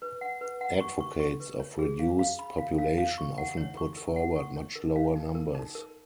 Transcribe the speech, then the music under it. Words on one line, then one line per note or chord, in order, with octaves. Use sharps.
Advocates of reduced population often put forward much lower numbers.
B4
F#5
B4
F#5
C#6
C#6
C#6
B4
C#5
G#4
F5
F5
B5
F5
F5
F5
C#6
F#5
C#5
C#6
A#4
F#5
C#6
C#5
A#4
F5
D#4
A#4
D#4
A#4